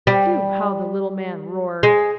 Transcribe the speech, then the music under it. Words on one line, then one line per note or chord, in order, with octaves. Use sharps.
Phew! how the little man roared.
G3
G#3